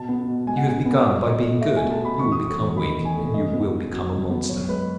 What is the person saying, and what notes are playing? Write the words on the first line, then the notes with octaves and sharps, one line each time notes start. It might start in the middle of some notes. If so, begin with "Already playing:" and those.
You have begun by being good, you will become weak, and you will become a monster.
Already playing: B2 A5
B3
B2
G#3 G#5
F#5
B2 G#5
B3
B2 C#5
B2 D#5
A3 D#5
A3 E5
B2 G#5
A5
B2
B5
E2 C#6
D#6
A3
C#6
E2
D#3 B5
E2
G#5
A3
C#3 D#5
B3
C#3
F#3
C#3
B3
F#2 C#5
G#3 B4